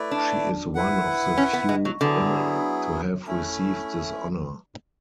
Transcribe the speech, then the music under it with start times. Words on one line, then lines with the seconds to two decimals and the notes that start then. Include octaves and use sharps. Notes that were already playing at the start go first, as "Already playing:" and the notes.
She is one of the few women to have received this honor.
Already playing: A3 E4 B4 D5
0.11 D4
0.75 E4 B4 F#5
1.38 C#4
1.53 B3
1.69 G#3
1.85 F#3
2.01 D3 F#3 B3 E4 G#4
3.27 A3 C#4 E4